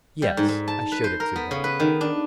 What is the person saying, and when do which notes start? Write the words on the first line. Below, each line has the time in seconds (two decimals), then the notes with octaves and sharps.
"Yes; I showed it to him."
0.22 G3
0.37 G#2
0.49 G#2
0.68 A5
0.92 B4
1.04 C5
1.20 A#4
1.36 B3
1.51 C#3
1.64 B4
1.80 D#3
2.01 D4